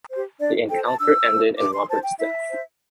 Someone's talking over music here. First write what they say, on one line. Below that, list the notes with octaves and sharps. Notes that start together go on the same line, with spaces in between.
The encounter ended in Roberts' death.
G4 C5
D4 D5
A4 C5 G5
A5
D4 E6
A4 C5
D4 D6
C6
C5 A5
G5
E4 E5
C5